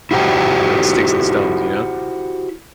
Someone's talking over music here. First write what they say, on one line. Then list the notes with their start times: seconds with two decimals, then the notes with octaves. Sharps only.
like, sticks, and stones, you know?
0.11 E4 F#4 G4 C5 G5